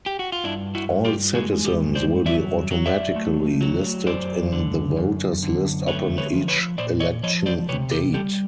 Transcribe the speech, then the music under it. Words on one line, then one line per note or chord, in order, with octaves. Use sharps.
All citizens will be automatically listed in the voters' list upon each election date.
G4
F#4
F4
G2 D4 E4
E4 F#4
G2
F4 G4
G#3 F#4 G#4
G4 A4
G2
C5 D5
F#3 D5 E5
F#3
D5 E5
A3
F#3
F#2 C5 D5
D3
F#2
D3
A3 B4 C#5
B4 C#5
F3
B4 C#5
A#2 C5 D5
C#5 D#5
F3 C#5 D#5
C5 D5
C3 B4 C#5
G4 A4
G3 G4 A4